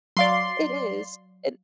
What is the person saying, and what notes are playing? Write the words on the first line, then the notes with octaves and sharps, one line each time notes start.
It is, and
F#3 D5 F5 C6